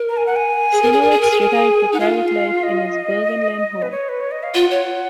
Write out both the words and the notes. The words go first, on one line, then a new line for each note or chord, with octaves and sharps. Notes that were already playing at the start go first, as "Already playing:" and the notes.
Sinowatz retired to private life in his Burgenland home.
Already playing: A#4
A#5
G#5
F#5
G#5
G#4
A#4
G#4
A#4
G#4
A#4
G#4
A#4
G#4
D#4 F#5
F4 F5
D#5
B4
C#5
B4
C#5
D#5
F5
F4 F#5
C#5